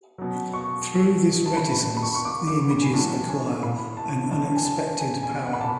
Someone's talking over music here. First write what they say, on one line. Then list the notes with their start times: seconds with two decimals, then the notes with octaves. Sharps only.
Through this reticence the images acquire an unexpected power.
0.18 B2 F#3
0.53 C#6
1.46 A5
1.57 B5
1.79 A5
1.97 B5
2.02 C#6
2.15 C#6
2.25 D6
2.47 D6
2.70 B5
2.82 G#5
2.93 A2 F#3 A5
3.28 G#5
3.63 B5
3.97 A5
4.31 A5
4.55 G#5
4.65 A5
4.99 G#5
5.23 G#5
5.46 F#5
5.53 B5
5.61 A5